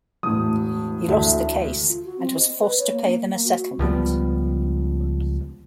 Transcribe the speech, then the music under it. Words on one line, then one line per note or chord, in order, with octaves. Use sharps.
He lost the case and was forced to pay them a settlement.
E1 A2 D#6
D2 A4 E5
F4
F#4
C4
D#5
B4
C#5
A#3
A#3
F#4
C#2 F3 G3 B3